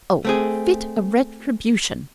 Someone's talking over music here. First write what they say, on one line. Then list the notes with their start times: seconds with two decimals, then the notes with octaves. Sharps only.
Oh, fit retribution!
0.25 A3 C4 G#4